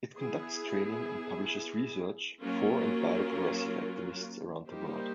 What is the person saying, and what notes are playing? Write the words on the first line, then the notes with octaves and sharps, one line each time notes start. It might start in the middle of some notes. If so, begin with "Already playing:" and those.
It conducts training and publishes research for and by progressive activists around the world.
B3 E4 G#4
F#3 A#3 C#4 F4 A#4
G3 A#3 D#4 G4 C5